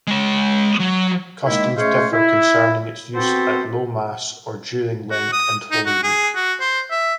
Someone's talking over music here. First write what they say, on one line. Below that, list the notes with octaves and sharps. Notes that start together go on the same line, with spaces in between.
Custom differs concerning its use at Low Mass, or during Lent and Holy Week.
G#3 C#5
F#3
D#3 G#3 A#3 E4
G#3 A3 C#4 C5 C#5 F5
E4
B3 C4 F#4 G4 A4 C5
F#4
D#6
D#4
F#4
G#4
F#4
C5
E5